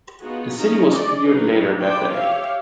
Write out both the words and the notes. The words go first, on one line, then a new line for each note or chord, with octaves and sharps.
The city was cleared later that day.
B3 D#4 F4 F#4 G#4
C#4 D#4 G#4 A#4 D#5
G#4 D5 D#5
F#3 D#4 A#4 B4
B4 C5 D5 G5
G4 C#5 E5 F5